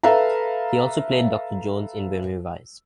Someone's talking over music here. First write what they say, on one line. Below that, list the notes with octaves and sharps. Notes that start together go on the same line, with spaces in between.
He also played Doctor Jones in "When We Rise".
A4 B4 E5 F5 A#5